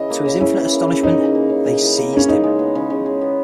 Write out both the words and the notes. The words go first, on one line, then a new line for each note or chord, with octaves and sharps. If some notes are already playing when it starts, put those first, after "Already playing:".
To his infinite astonishment, they seized him.
Already playing: C#3 E3 D#5
A#3
C#3
C#3 E4
E3
A#3
C#3
C#3 D#4
E3
A#3
C#3
C#3
E3
A#3
C#3 C#4
C#3 D#4
G#3
B3
C#3
C#3
G#3
B3